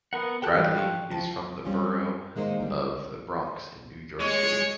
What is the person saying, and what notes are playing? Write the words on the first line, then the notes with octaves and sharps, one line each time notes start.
Bradley is from the borough of the Bronx in New York City.
B3 A#4 F#5
F#4 G4 A4 G5 F#6 G6
E3
F3 F5 C#6
F3 A5
G3 C4 C#4 F4
D#3 G#3 A#3 D#4 C5
D3 G3
G#3 C#5